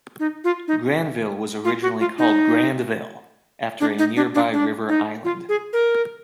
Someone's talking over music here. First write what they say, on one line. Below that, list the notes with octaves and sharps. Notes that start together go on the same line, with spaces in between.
Granville was originally called Grandville, after a nearby river island.
D#4
F4
D#4
F4
F#4
F4
D#4
D4
D#4
D4
D4
D4
D#4
F4
G#4
A#4